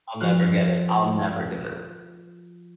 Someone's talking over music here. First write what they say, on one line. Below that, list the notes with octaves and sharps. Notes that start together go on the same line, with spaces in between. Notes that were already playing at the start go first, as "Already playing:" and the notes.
I'll never get it. I'll never get it.
F3 F#4 C5 F6 F#6